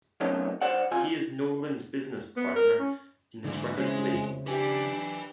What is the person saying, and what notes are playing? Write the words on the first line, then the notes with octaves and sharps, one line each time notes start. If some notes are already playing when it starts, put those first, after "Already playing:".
He is Nolan's business partner in his record label.
C3 D#3 F#3 A3 B3 C#4
G2 C5 D5 F#5
C#2 C3 F4 G#5
B3
A#4
C#4
E2 G#2 D3 E3
C#3 G#3 C4 C#4
D4 G4 B4 G#5